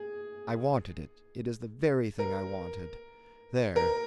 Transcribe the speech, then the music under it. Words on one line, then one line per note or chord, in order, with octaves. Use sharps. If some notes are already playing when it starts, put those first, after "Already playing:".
I wanted it: it is the very thing I wanted--there.
Already playing: G#4
A#4
A#4